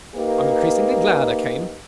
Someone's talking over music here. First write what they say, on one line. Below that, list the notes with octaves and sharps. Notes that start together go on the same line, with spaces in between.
I’m increasingly glad I came.
A#3 D#4 G4 B4